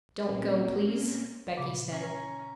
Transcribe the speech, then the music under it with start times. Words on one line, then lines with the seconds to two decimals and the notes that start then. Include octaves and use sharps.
'Don't go, please,' Becky said.
0.23 A#2 A#3 C4 C#4
1.57 A#2 C#3
1.90 C#4 A#5